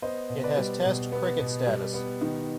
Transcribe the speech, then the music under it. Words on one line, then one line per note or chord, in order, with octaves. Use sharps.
It has Test cricket status.
B3 C5 D#5
B2
B4 D5
G3
B2
B3
B2
G3
B3
D#3